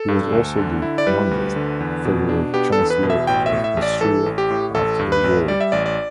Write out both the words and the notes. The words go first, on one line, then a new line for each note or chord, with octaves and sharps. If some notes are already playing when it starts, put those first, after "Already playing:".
He was also the youngest Federal Chancellor of Austria after the war.
Already playing: A4
G2
D2
D3
E4
D5
G3 B4
D2
D3
E2
B2
D4
B3 G4
A4
E2
B4
B2
E5
A1 G5
E5
A2
E5
A1
D5
E3 A4
A1
G4
A2
A1 A4
G2
B4
A1
G3 D5
E5
A1 D5
D5